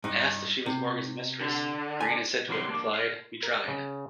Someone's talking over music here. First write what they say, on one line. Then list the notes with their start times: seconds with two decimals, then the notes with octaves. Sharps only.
Asked if she was Morgan's mistress, Greene is said to have replied, We tried!
0.04 G2 D#4
0.66 C3
1.41 D3
2.01 G#5
2.48 C2 E3 F#3 G3 A#4 C6
2.68 A#3 D4
2.94 F5
3.43 A#4
3.68 C#3